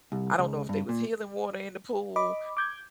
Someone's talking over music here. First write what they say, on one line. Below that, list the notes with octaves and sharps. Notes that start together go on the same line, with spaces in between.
I don't know if there was healing water in the pool,
C2
C#2
G2
A#2
D#5 B5 D6
D6 G6 G#6